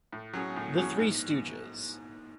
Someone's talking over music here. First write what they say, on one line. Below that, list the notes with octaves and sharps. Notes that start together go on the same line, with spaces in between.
The Three Stooges.
A2
F#3 C#4 G#4
A2
F#3 C#4 G#4
G#2